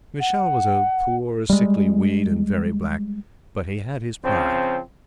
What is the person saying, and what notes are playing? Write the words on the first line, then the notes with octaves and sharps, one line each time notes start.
Michele was a poor, sickly weed and very black; but he had his pride.
F#5
G3 G#3
C#3 F3 C4